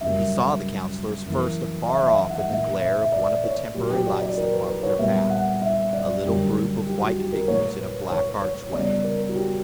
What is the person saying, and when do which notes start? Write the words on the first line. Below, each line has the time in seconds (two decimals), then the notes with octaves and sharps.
He saw the Councillors first afar off in the glare of one of the temporary lights that marked their path, a little group of white figures in a black archway.
0.01 F#2 C#3 G3 A#3 E5
1.25 F#2 E3 A#3
1.88 E5
2.03 E5
2.20 E5
2.30 F#5
2.35 E5
2.50 A#2 A#3 E5
2.81 E5
3.01 E5
3.12 D5
3.44 C#5
3.74 A#2 F#3 A#3 G4
3.90 G4
4.06 D5
4.22 D5
4.38 A#4
4.53 B4
4.68 B4
4.83 C#5
4.99 A#2 G3 B3 E5
5.30 F#5
5.62 E5
5.93 D5
6.24 F#2 D3 G3 A#3 G4
6.86 G4
7.01 F#4
7.17 G4
7.33 A#4
7.48 A#2 A#3 C#5
7.79 B4
8.10 C#5
8.42 C#5
8.73 C#3 G3 B3 D5
9.04 A#4
9.29 F#4
9.36 G4